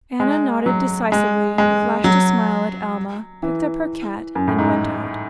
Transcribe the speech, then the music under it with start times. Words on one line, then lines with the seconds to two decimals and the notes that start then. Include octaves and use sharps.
Anna nodded decisively, flashed a smile at Alma, picked up her cat, and went out.
0.20 G#3
0.66 F#3
1.12 G#3
1.58 G#3
2.04 F#3
3.43 E3
4.35 F#2
4.48 A2
4.59 G#2